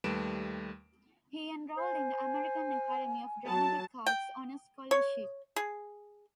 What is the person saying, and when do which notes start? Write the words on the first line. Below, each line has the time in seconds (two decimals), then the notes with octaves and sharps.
He enrolled in the American Academy of Dramatic Arts on a scholarship.
0.04 D#2 G3 A3 B4 D7 E7
1.77 C5 G#5
3.46 F#3 A5
4.06 G5
4.91 C#5
5.56 G#4